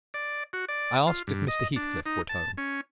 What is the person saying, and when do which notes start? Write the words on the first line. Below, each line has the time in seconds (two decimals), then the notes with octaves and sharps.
I asked if Mr. Heathcliff were at home?
0.14 D5
0.53 F#4
0.68 D5
1.07 F4
1.27 G2
1.48 D#5
1.76 D4
2.06 D#4
2.29 A5
2.58 C#4